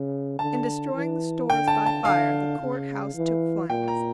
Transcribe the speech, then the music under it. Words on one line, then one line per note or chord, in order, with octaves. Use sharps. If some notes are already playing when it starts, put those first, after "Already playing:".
In destroying the stores by fire the court-house took flames.
Already playing: C#3
D3 A5
E3
D3 G5
A5
A5
D3 F5
C#3
E3
A#2 G5
A#5